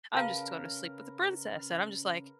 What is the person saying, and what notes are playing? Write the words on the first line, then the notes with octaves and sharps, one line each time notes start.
"I'm just gonna sleep with the princess," and I'm just like,
C#3 A#4 B4 F5 A5 A#5